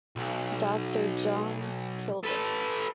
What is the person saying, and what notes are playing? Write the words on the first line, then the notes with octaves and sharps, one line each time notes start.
Doctor John Kilduff.
B1
A4 B4